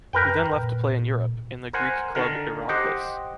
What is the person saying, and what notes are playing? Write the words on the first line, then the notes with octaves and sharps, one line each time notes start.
He then left to play in Europe, in the Greek club Iraklis.
F#2 A#4 B4 G5
A#2
A#4 C5 F#5 G#5
D3 D#3 A#4
G4 C5 D#5 F#5 G5